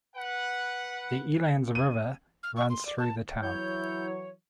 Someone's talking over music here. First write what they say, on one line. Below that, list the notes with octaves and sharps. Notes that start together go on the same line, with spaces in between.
The Elands River runs through the town.
B4 F#5
D#7
F6
C#6
C6
D5
A5
E3 F#3 E4 C#5 G6